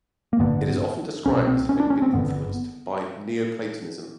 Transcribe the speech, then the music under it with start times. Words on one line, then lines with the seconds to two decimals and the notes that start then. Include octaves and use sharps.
It is often described as having been influenced by Neoplatonism.
0.33 A#3
0.39 A1 G2 D3 B3
1.26 C2 B2 C#4
1.47 C4
1.69 C#4
1.80 D4
1.90 C#4
2.02 C4
2.12 G1 G2 D3 B3